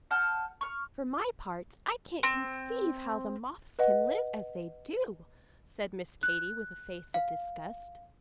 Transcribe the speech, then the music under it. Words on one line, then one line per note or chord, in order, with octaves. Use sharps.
"For my part, I can't conceive how the Moths can live as they do," said Miss Katy, with a face of disgust.
F#5 A5 F6 G6
C#6 F6
C4
B4 D#5 F#5
F#6
F5